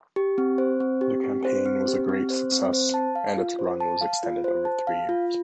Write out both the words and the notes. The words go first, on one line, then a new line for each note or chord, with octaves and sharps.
The campaign was a great success and its run was extended over three years.
G4
C4
C5
C4
G4
C4
C5
C4
G4
C4
C5
C4
C5
A5
F5
F4
C5
A5
F5
F4
C5
A5
F5
F4